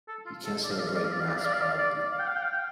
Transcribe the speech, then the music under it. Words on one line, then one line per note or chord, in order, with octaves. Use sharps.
He can celebrate Mass privately.
A4
F4
A4
D5
F5
D5
F5
D5
F5
D5
F5
D5
F5
D5
F5
D5
F5
D5
F5
G5
F5
G5
F5
G5